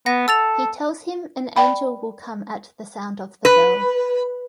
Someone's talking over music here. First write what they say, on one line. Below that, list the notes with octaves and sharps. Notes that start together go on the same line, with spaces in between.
He tells him an angel will come at the sound of the bell.
B3 F#5 A#6
A4 E6 A6 F7
D5 G5 B5
B4